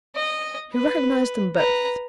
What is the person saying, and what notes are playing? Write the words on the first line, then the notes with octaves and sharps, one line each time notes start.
He recognised them both.
D#5
B4
B4 A#5